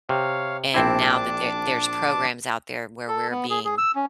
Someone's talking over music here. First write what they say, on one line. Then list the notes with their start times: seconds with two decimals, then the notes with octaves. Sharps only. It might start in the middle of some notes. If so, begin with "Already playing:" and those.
And now that there there's programs out there where we're being
0.09 C3 C#5 F5
0.74 A#1 C4 D4 E4 A5 D6
3.08 A4
3.31 B3
3.50 G#4
3.65 G#4
3.78 E6
3.95 C#4